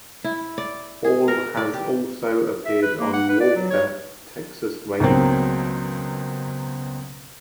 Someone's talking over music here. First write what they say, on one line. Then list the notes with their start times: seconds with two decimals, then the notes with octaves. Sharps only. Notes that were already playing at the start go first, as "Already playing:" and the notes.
Ball has also appeared on "Walker, Texas Ranger".
0.24 E4
0.58 D5
1.04 G#4
1.28 A#4
1.57 D5
1.74 G4
2.65 E5
2.82 B4
2.99 A#3
3.13 F#5
3.29 B4
3.40 D5
3.56 F#3
3.70 C#5
5.00 C#2 B2 F#3 A#3 C4